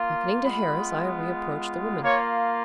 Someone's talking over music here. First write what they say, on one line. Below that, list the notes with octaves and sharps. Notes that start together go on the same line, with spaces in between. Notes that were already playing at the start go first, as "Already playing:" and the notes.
Beckoning to Harris, I reapproached the woman.
Already playing: A#3 F4
G#3 B3 F4 B5
A#3 F4 C#5